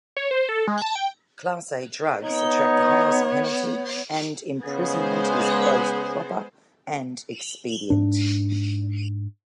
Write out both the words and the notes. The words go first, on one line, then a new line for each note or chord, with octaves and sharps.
Class A drugs attract the highest penalty, and imprisonment is both "proper and expedient".
C#5
C5
A4
G#3
A5
G5
B3 D#4 C#5
C#3 G#3 B3 G#4 C5
G#2 D4